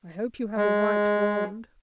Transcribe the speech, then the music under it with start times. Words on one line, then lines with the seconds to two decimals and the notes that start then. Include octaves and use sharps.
I hope you have a white wand.'
0.57 G#3